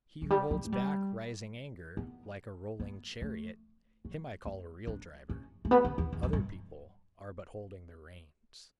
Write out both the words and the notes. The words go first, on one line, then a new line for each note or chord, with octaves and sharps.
He who holds back rising anger like a rolling chariot, him I call a real driver; other people are but holding the reins.
F#3
G3
F#3
A3
G3
B3
B3
A3
F#3
C#4
D4
C#4
A3
B3
D3
E2
E2
F#2
G2